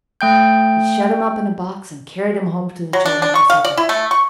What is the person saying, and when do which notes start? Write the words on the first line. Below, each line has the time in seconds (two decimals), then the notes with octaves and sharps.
He shut him up in a box and carried him home to the children for supper.
0.21 A3 G5 G6
2.93 F#3
3.06 D4
3.22 D4
3.35 C#6
3.50 F5
3.65 D5
3.77 E4
3.89 A3
4.11 C#6